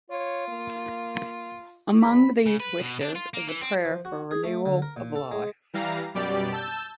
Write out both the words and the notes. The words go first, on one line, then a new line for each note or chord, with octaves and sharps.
Among these wishes is a prayer for a renewal of life.
F4 C#5
A#3
E2 B5
C#3
B4
B2
D4
F4
A#3
E3
C4
F3
F#4
G#4
A3
D3
A#4
A#2
A4
G#3
E3 G3 F5 A#5
F#2 B2 G3 G4 D5
A5 E6 G6